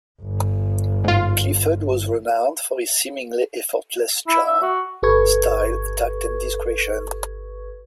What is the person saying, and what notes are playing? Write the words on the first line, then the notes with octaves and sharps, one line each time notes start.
Clifford was renowned for his seemingly effortless charm, style, tact and discretion.
G1
G#2 F4
E4
E5
F#4
G1 G4 A4 B4 C#6 G#6